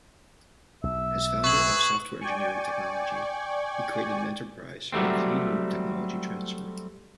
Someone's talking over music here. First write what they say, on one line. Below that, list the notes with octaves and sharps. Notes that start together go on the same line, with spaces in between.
As founder of Software Engineering Technology, he created an enterprise for Cleanroom technology transfer.
B1 E5
G#4 B4 C#6 F#7
D5 G5 G#5 C#6
F#3 G3 A3 C4